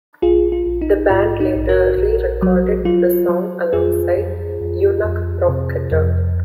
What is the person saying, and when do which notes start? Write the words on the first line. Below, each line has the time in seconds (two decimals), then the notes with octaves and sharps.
The band later re-recorded the song alongside "Eunuch Provocateur".
0.22 A#1 F4 G#4
0.52 F4
0.66 A#1
0.81 D#4
1.10 G#2 F4
1.40 D#4
1.55 A#1
1.69 F#4 A#4
1.98 A#1
2.42 F#3
2.85 F#3 F4
3.29 F#3
3.73 F2 F4 G#4
4.17 F2
4.61 F2
5.05 F2
5.49 C3
5.92 F2